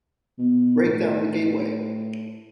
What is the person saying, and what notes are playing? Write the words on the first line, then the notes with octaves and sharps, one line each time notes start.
Break down the gateway!
B2
A2